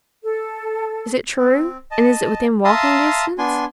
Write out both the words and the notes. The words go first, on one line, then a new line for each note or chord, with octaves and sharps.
Is it true?--and is it within walking distance?'
A4
C4
D#5 A5
E5 F5 A5 A#5 C6 D#6
B3 D4 G#5 C6